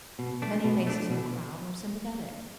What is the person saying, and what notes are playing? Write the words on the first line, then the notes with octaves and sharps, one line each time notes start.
Many faces in the crowd were sympathetic.
B2
A3 D4
B2
A3 D4
B2